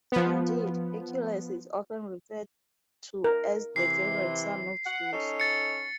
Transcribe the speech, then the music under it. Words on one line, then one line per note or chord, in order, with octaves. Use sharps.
Indeed, Hercules is often referred to as "the favorite son of Zeus".
F3 B3
A#4
C3 E3 C7
F#5
C#4 D#4 A4
A6 C#7